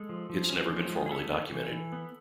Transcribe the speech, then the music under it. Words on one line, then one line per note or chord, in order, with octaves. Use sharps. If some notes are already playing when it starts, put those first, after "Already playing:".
It's never been formally documented.
Already playing: G#3 A4
F3
F3
C#4
F3
G#3
G#4
B3 A4
B3
E3
E3
B3